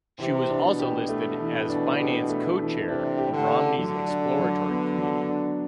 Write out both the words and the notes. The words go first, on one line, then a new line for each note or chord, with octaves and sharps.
She was also listed as finance co-chair of Romney's exploratory committee.
C3 E3
D4
B2
G4
A3
E3
D4
G4
A3
E3
C3 D4
G4
D3
A3
D3 F#3
D4
F#3
B3
F#3
D4